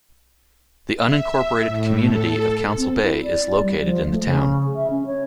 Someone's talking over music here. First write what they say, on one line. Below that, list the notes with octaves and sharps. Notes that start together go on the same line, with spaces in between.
The unincorporated community of Council Bay is located in the town.
E5
A2
A4
C4
E4
D5
G3
F3
A3
C#3
E5
C#4
C#5